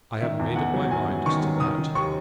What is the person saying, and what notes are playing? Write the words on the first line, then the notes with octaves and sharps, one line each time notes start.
I have made up my mind as to that.
D#3 E5
E2
E2 F#5
F#3
E2 G#5
F#3
D#3 C#6
F#3
D#3 D#6
D#3
D#2 C#6